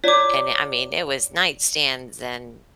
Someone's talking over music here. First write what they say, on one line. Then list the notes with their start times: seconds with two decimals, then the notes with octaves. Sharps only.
and, eh, I mean it was nightstands and
0.04 F4 C#5 D5 D6